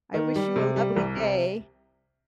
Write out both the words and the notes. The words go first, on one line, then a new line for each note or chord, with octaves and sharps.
I wish you a lovely day.
D#3
G3
C3
G3
C2
C3